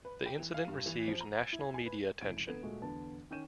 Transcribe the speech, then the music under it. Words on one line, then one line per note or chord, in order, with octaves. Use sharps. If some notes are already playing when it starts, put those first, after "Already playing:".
The incident received national media attention.
B4
G5
E3
F5
G2
E3
F3
A#5
G#6
E4
G#5
B4
F1 C#2 A3 E4 G#6 D7
D2 B3 A4 G#6
A#2 G#3 A3 F#4 A4
E2 D3 B3 A5
D#3 C#4 G6 D#7 E7